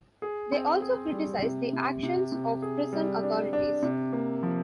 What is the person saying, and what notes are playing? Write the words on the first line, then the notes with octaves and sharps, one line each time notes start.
They also criticize the actions of prison authorities.
G#4
C4
G#4
G3
C3
C3
C3
C3
G#4
G3
D4
D4
C3
A#3
F3